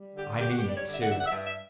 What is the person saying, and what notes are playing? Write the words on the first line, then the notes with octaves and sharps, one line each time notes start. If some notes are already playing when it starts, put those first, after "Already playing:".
I mean it too.
Already playing: G3
D3 G4
G2 G4
F#4
G4
G3 D5
C#5
D3
E5
F#5
G2 E5
F#5
E5
G2
E5